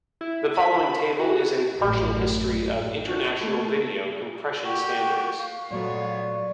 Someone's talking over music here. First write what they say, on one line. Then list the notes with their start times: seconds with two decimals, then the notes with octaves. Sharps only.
The following table is a partial history of international video compression standards.
0.21 E4
0.56 B5
1.19 F#4
1.77 A1 F#2
3.06 D4 F#4
3.39 A3 A#3
4.64 F#4 G4 G5 C#6
5.37 F5
5.71 A#2 F#3 G#3 A3 B3 C#5 D5